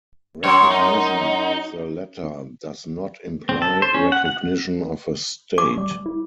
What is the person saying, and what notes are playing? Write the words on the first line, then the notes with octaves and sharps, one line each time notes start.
Recognition of the latter does not imply recognition of a state.
F#2 C#5
D#4
C4
A4
C5
C#4
F#5
F#5
D6
G3
E4